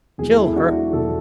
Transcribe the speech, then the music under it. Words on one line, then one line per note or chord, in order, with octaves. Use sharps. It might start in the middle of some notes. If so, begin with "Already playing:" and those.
Kill her!
E1 E2 B2 F#3 G#4
A4
E4 G#4
D4 F#4
E1 E2 B2 F#3 F#4 A4